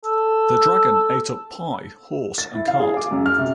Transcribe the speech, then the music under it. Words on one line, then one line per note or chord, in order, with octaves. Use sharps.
The dragon ate up pie, horse and cart.
A4
A6
E4
F5
G#4
D6
F#2
F6
C3